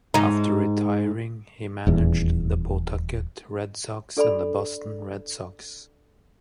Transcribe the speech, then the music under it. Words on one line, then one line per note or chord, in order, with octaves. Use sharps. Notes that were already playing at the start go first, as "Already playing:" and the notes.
After retiring, he managed the Pawtucket Red Sox and the Boston Red Sox.
G#2 D#4
D#1 E2
D4 A4 D5 G#5 B5